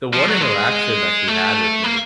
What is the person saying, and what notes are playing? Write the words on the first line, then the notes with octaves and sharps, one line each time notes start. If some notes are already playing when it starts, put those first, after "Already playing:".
the one interaction that she had with me
F3
F#3
G#3
A3
A#3